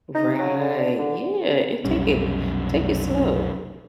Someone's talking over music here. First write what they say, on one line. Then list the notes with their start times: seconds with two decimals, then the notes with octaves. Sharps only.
Right. Yeah, and take it take it slow,
0.15 D#4
0.39 F#3
0.59 D3
0.79 D4
0.99 D3
1.85 F1 B1 G3 C#4